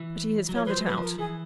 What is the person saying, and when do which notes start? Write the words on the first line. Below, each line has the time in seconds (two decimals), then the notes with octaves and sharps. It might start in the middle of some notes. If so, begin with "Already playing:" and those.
But he has found it out.
Already playing: E3
0.49 F#3
0.55 F3 C#5
0.66 F3 B4 C5
0.76 F#3
0.86 B4
0.90 F#3
0.98 F3 A#4
1.18 E3 G#4